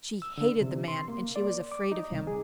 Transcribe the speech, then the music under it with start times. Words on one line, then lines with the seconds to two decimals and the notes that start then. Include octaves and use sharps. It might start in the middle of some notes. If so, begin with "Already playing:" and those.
She hated the man, and she was afraid of him.
0.22 E6
0.38 D3
0.61 C3
0.88 C6
1.08 A#3
1.36 D5
1.72 D6
1.92 D#4
2.12 C2
2.27 G#4